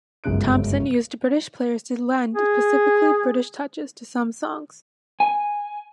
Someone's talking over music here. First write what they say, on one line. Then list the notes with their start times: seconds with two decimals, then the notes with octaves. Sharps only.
Thompson still used British players to lend specifically British touches to some songs.
0.24 G1 C#2 F#2 C#3 F#6 D7
2.35 G#4
5.20 G#5